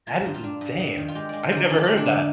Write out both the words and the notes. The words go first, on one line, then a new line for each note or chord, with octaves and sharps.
That is insane. I've never heard of that.
A#3 F4
G2
F4
D4
G2
G2
D#3
F4
G#3 G4
G#3 D5
C5
D3 A#4
D3 G#4
G4
G#3 F4
D4
D3 D#4